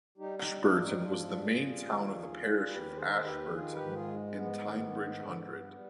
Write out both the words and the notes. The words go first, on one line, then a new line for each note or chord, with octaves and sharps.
Ashburton was then the main town of the Parish of Ashburton, in Teignbridge Hundred.
G3 D#4 G4
D#4 G4
G3
D4 F4
G#2
C4 D#4
G#2 D4 F4
G3
F4 G#4
G3
D#3
D#2
G3
D#2 G4 B4
D#3 G#4 C5
D#2 G4 B4
D#3 F4 G#4
G4 B4
G#2
F4 G#4
G#3
G#2 B3
D#3
G#2
D3
G2
G3